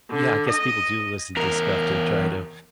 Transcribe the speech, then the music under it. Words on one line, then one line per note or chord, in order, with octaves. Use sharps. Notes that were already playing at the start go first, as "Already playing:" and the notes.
Yeah, I guess people do listen to stuff to try to,
D3
D#5
E2 A#4